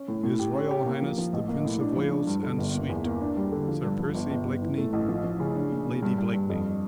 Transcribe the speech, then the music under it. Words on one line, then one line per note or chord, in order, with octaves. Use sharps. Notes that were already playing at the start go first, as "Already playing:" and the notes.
"His Royal Highness the Prince of Wales and suite, Sir Percy Blakeney, Lady Blakeney."
Already playing: C#4
A2
A2
G4
C#4
G4
A#3
F3
F3
A1
A#3
A2
D4
F3
D4
G2
D3
G1
A#3
E2
A#3
D4
G3
D3
F3
G2
F3
G1
G1
G1
E3
A3
A1
F3
F3
C#3
D4
A#2
A#2
G2
G2
G2
F2